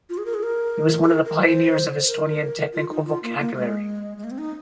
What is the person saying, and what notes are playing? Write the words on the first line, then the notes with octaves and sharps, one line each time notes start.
He was one of the pioneers of Estonian technical vocabulary.
F4
G#4
A#4
G#4
A#4
G#4
A#4
A#4
C5
C5
A#4
F4
D#4
F4
A#3
A#3
G#3
G#3
A#3
C4
D#4